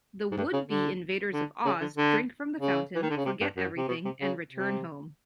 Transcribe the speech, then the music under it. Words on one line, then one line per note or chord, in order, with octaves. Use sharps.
The would-be invaders of Oz drink from the fountain, forget everything, and return home.
G#2
G2
C#3
D3
D3
C#3
D3
D3
C#3
E3
D#3
D3
C#3
C3
G2
F#2
C3
B2
C3
C#3
C3